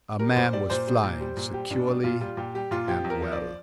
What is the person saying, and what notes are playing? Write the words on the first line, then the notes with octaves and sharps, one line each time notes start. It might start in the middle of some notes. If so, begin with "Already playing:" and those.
A man was flying securely and well.
G3 A#4
A#2 C5
G3 D5
A#2 C5
G3
A#2
G3
A#2
G3 G4
A#2 D4
G3 D4
A#2 F4
G3 F4
A#2 G4
G3 G4
A#2 F4
F3 G4
F2
A#4
F3
D5